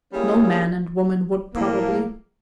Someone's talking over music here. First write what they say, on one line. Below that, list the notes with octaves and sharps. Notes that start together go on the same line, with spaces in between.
No man and woman, would, probably.
G3 A#3 C#4 E4 G#4
A2 F3 A#3